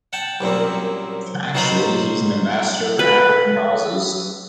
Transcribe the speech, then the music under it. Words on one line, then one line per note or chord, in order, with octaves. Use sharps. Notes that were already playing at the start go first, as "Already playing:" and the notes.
Actually, he is an ambassador for African causes.
F#5 G5 A5
C2 F#2 A#2 C4
F#3 D#4 F4 C5 B5 D#6
B4